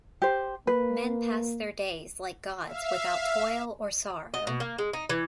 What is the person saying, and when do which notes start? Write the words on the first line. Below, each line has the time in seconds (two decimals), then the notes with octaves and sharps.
Men passed their days like gods without toil or sorrow.
0.22 G4 C5
0.67 A#3 B4
2.67 E5 F5
4.34 D#5
4.47 B2
4.60 A#3
4.78 G#3
4.93 D#4
5.09 E3